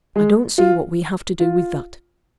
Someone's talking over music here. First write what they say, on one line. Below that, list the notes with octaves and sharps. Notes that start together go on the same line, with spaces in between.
'I don't see what we have to do with that.
G#3
F4
F4